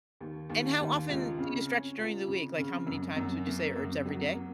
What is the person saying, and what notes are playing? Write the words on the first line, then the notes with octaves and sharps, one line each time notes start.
And how often do you stretch during the week? Like, how many times would you say, or it's every day?
D#2
D#2
D#2
C#2
C#3
C#4
C#2
C#3
C#3
F#2
F#2
A#3
F#2
F#3
A#3